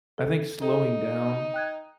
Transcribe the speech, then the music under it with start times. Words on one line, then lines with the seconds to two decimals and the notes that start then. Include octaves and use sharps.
I think slowing down
0.18 A4
0.62 D#4 A4
1.54 G5 F#6 G#6